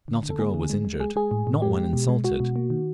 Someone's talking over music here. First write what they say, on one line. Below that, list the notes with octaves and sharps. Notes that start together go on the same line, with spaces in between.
Not a girl was injured, not one insulted.
D3
D3
A4
A#3 G#4
D3
G#3
G#3
G#3 G#4
G#3 G#4
A2
A2
G#3 G4
G#3
B2
G#3
G#3 F#4
B2
A#3
D#3